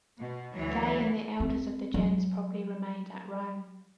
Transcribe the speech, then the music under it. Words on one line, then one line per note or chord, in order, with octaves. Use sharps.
They and the elders of the gens probably remained at Rome.
B2
D2 E3 F#3
C4
F#3